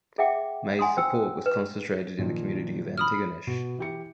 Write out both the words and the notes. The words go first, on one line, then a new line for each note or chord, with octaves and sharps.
May's support was concentrated in the community of Antigonish.
G#4 E5 F#5 G5 D6
F#5 G#5 C6 D#6
C5 G5 E6
B4
A#2 D#3 F3
B5 D#6 F6
B2
E3 G4 C#7